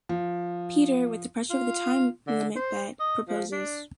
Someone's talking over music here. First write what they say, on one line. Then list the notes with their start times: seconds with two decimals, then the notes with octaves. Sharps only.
Peter, with the pressure of the time-limit bet, proposes.
0.09 F3
1.50 F4
2.27 D3
2.56 C5
3.00 D#5
3.28 F3
3.52 D4